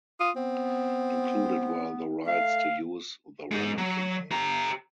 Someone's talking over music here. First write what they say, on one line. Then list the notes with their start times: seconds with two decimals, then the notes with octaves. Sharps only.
Included were the rights to use the Remington name.
0.20 F4 D#6
0.36 B3 C4
2.27 A3 F5
3.51 G#3 D#4
3.78 F#3
4.31 G4 A#5